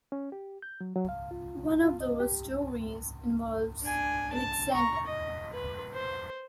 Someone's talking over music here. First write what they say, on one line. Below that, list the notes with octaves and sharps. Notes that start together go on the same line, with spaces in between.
One of those stories involves Alexander.
C#4
G4
G6
F#3
F#3
F5
F4
F4
D#5
G4
D4 G#5
A5
A#5 C#6
D#5
B4
C5